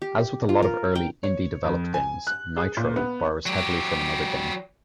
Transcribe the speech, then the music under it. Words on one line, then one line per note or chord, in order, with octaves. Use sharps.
As with a lot of early, indie-developed games, "Nitro" borrows heavily from another game.
G4
F4
A#4
G5
C#5
F2
G#5
F#6
G#4
A#2
B3
F#3 G4